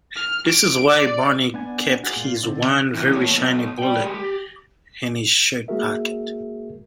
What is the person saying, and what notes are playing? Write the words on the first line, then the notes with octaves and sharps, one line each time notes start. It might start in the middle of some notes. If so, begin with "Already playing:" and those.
This is why Barney kept his one very shiny bullet in his shirt pocket.
F6
D7
D5
B3 D4 G#5
F#4 G#4
A#2 A#3 F4
D3 C4 D5
C3 E3
A#3 C#5
B1 B2
D5 G5
G#3 G4
G4
G#3 A#3 F#4 G#4 A#4 E5